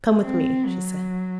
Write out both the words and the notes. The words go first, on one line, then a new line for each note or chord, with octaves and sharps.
'Come with me,' she said.
C4
F#3